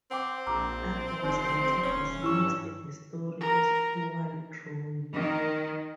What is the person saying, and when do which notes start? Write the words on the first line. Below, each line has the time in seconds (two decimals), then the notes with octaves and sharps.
Adams later dismissed the story as poorly drawn.
0.11 C4 F#5 G5 D6
0.47 A#1 A#5 D6 E6
1.23 F1 D#4 C5 D5 C6
1.83 D#1 C#4
2.23 G2 E4 C#6 E6
3.41 A#4
5.13 D#3